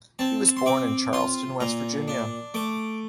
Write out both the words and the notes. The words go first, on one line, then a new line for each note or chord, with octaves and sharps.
He was born in Charleston, West Virginia.
C4 A5
C6
C4 D6
F4 C6
A#2 A#5
D4
A3 D6